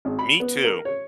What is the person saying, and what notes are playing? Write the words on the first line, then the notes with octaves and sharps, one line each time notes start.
Me too.
G#1
B5
B3
A#4
C#5